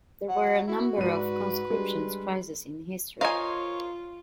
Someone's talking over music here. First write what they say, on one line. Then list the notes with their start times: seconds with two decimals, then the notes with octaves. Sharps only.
There were a number of conscription crises in history.
0.28 F#3 F#5
0.67 E4 F#4
0.98 G#2 B4 D5 D#7
1.70 G3 G#3 D4
3.21 F4 A#4 C5 C#5 D#5 F5 G#5